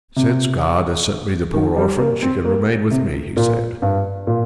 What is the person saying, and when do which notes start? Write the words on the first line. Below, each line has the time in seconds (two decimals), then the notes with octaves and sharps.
"Since God has sent me the poor orphan, she can remain with me," he said.
0.16 C3
1.54 D#3
1.77 G3
1.99 A#3
2.22 C4
2.45 A#3
2.91 C3
3.37 A#2
3.82 G2
4.27 A#2